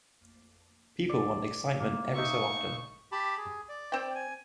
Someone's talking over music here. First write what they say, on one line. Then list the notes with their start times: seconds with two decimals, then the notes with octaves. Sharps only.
People want excitement every so often.
1.09 D5
1.80 A#3
2.16 D#4 E5 C#6
3.12 G4 A5 B5
3.37 G#4
3.69 D5
3.92 C4 G5
4.15 G#5